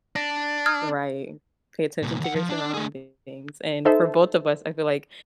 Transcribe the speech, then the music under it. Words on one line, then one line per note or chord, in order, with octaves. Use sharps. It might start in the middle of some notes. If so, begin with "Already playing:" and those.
Right, pay attention to your surroundings, and for both of us, I feel like
D4 A#6
D#6 F6 G#6
C2 A#2
D#2 F#5
F3
D4
A3 G#4
D#4 A4 C5 E5